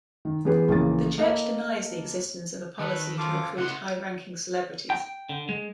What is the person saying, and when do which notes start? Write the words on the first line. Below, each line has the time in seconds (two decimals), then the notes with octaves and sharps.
The church denies the existence of a policy to recruit high-ranking celebrities.
0.25 D#3
0.45 E3 G#3 B3 G4 G#4 B4
0.68 A#1 C#3 E3 A#3 A6
1.18 A#3 A4 D#5
2.79 D#3 A4 B4
3.18 F#2 F3 F4 A4 D6
3.57 C#2 A2 F#5 C6
4.90 G5
5.29 D3
5.49 G#3